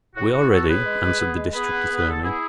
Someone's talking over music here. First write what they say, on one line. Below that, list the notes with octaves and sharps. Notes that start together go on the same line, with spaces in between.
"We are ready," answered the District Attorney.
A2 F#4
A2 F#4
B3 F#4 A4
A2 G#4 B4
G#3
G#3
B3
G#3
B3 G#4 B4
B3
B3
B4
D3 A4
B3 E4 G#4